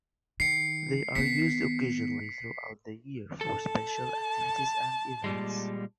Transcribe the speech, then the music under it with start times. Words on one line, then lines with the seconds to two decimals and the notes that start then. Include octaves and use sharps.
They are used occasionally throughout the year for special activities and events.
0.40 D#3 C7 C#7
1.15 D#3 B3 B6 C#7
3.41 A4 A5
5.24 A#2 G3 G#3